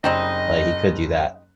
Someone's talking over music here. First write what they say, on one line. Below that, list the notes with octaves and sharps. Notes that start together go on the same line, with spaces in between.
like, he could do that.
F#1 G3 C4 D#4 D#5